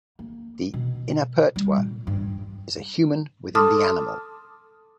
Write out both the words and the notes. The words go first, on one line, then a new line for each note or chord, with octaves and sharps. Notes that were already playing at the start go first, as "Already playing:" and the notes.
The Inapertwa is a Human within the animal.
A#3
B2
G3
A#2
G2
A4 A5 C6 D6 D#6 F6